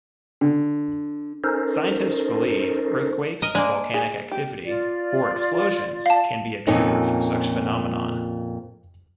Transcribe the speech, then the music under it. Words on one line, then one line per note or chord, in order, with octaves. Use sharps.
Scientists believe earthquakes, volcanic activity, or explosions can be a trigger for such phenomenon.
D3
C#4 D#4 A4 A#4 C5
A#4 D#5
G#3 A#3 D4
G#4
G4
F4 D5
F5 A5
F2 A#2 C#4 D#4 A4